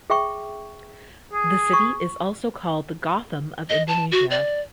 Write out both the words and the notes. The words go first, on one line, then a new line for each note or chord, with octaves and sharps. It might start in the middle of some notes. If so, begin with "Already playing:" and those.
The city is also called the Gotham of Indonesia.
G#4 E5 G5 C#6
G#4
C#6
D#5
A5
F#4
D5